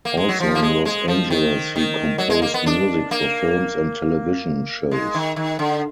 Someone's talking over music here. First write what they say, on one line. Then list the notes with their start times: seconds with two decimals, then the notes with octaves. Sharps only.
Also in Los Angeles he composed music for films and television shows.
0.05 A#3
0.17 G#3
0.28 F#3
0.40 F3
0.55 A#3
0.62 G#3
0.85 G#3
1.08 F3
1.30 D#3
1.76 D#3
2.18 F#3
2.30 G#3
2.42 A#3
2.54 B3
2.66 D4
3.11 A#3
4.91 G#3
5.15 D#3
5.36 D#3
5.59 D3